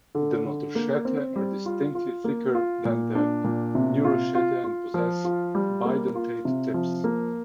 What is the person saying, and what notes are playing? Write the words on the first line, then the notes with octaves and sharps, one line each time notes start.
The notochaetae are distinctly thicker than the neurochaetae and possess bidentate tips.
D3
D3
A#3
C4
G3
F4
F4
A#3
F4
A#2
D4
A#2
C3
F4
F4
F4
F3
F4
G3
A#3
F4
C3
F3
A#3